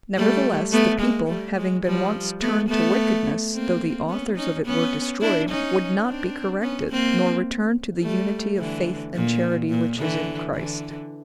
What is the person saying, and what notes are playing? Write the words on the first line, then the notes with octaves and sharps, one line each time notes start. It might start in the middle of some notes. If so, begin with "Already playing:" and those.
Nevertheless, the people, having been once turned to wickedness, though the authors of it were destroyed, would not be corrected, nor return to the unity of faith and charity which is in Christ.
G3 A3
A3 B3
G#3 A#3
G3 A3
F#3 G#3
F3 G3
A3 B3
A3 B3
A#3 C4
B3 C#4
C#4 D#4
B3 C#4
D4 E4
C#4 D#4
C4 D4
B3 C#4
A#3 C4
G3 A3
D3 E3
A#2
A#2
D3 E3
D3 E3